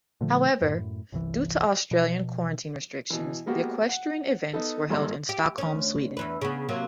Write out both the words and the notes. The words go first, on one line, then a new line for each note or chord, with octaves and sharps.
However, due to Australian quarantine restrictions the equestrian events were held in Stockholm, Sweden.
A#2 D3 F3 A3
F#2 A2
G1 C2 E3
B2 F3
B2 E3
G#3 A#3 B3 F#4 G4
F#5
B3 D#4 A4
G#1 G2 A#3 A4 A#5 C6
G4
D2 C#4
E2 E3 B4
C#3 B3
C3 F#3 A#3